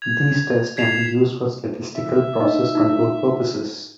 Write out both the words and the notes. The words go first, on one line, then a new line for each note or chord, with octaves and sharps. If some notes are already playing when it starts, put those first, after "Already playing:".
These tests can be used for statistical process control purposes.
G#6 F7
G#6 B6 C7 E7 F7
E5
D#4 A#4 D#5
D#4 E4